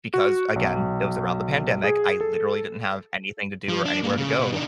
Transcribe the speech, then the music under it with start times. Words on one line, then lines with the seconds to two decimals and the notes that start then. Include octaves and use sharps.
because, again, it was around the pandemic, I literally didn't have anything to do or anywhere to go.
0.14 F#4
0.56 B1
1.84 G#4
2.21 A4
3.68 F3
3.85 D4
4.03 G#2 A#3
4.17 C#3
4.39 B2
4.53 D#3 D4